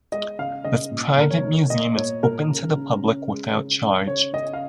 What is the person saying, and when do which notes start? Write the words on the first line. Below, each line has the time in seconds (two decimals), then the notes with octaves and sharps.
This private museum is open to the public without charge.
0.12 G#3 D#5
0.39 C#3 F5
0.64 C#3 D#5
0.91 A#2
1.17 A#2 A#4
1.31 C#5
1.44 D#4
1.70 A#3 D#5
1.96 A#2 C#5
2.23 A#2 A#4
2.50 C#3
2.76 C#3
3.02 C#4
3.28 G#3
3.55 C#3
3.82 C#3
4.07 C#3 C#5
4.33 C#3 D#5
4.53 F5